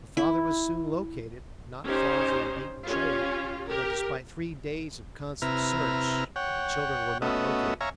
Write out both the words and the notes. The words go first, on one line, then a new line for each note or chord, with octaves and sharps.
The father was soon located, not far from the beaten trail, but despite three days of constant search, the children were not located.
E4
C#4 D#4 G4 C5
C#4 F4 G4
G4 A#4
C3 E4 B4 A#5 F6
C#5 F#5 G5
A3 B3 C#4 F#4 D#5 E5
C#5 E5 F5 G#5 A#5